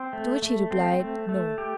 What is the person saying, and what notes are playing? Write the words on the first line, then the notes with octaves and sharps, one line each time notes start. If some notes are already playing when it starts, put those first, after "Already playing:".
To which he replied, "No."
Already playing: C4
A3
A3
C4
A3
A3
G4